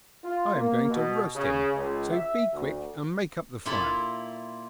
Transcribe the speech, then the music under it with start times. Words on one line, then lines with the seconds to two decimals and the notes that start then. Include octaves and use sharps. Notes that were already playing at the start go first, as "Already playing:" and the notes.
I am going to roast him, so be quick and make up the fire!'
0.24 F4
0.55 A#3
0.89 B2
1.35 C#3
1.74 C#2
2.11 E5
2.52 D2
3.66 A#2 E4 F4 A4